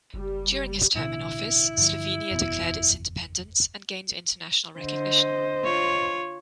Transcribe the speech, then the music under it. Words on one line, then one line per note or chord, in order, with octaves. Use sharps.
During his term in office, Slovenia declared its independence and gained international recognition.
F#1 G3
A1 B2 D3 E4
G2 D3 F3
F#1 E2 B2
D3 C5 D#5
F4 C#5